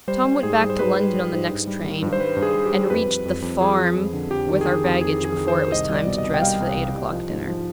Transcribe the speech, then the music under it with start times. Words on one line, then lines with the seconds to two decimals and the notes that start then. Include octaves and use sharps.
Tom went back to London on the next train, and reached the "farm" with our baggage before it was time to dress for the eight-o'clock dinner.
0.08 G3 C5
0.25 G3
0.43 G#2 G#4
0.60 G3
0.70 C5
0.78 G#2 B4
0.96 G3
1.14 G3
1.32 G#2
1.49 G2
1.67 G3
1.84 D#3
2.02 G2
2.13 C5
2.20 G3 B4
2.37 G2
2.43 G#4
2.54 G3
2.66 G4
2.73 G3
2.90 F2 B4
3.07 F2
3.25 F2
3.42 F2
3.60 F3 G#4
3.78 F3
3.95 F2
4.13 D3
4.30 F2 G4
4.48 D#3
4.61 G#4
4.66 D#3 G4
4.84 F2
5.01 D#3 G#4
5.19 F2
5.25 G#4
5.36 D#3
5.48 C5
5.54 D#3
5.71 C2 D#5
5.89 G3
5.95 D5
6.07 B2
6.18 D#5
6.24 C2
6.34 G5
6.42 G3 F5
6.60 C2
6.77 C2
6.95 C2
7.13 F3
7.30 G#2
7.48 F3